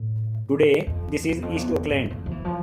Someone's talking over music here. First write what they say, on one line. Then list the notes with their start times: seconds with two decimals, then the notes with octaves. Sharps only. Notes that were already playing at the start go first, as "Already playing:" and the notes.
Today this is East Oakland.
Already playing: A2
0.87 F2
1.29 E2
1.42 F2
1.55 E2
1.69 F2
1.89 G2
2.11 F2
2.26 F3
2.31 E3
2.45 F3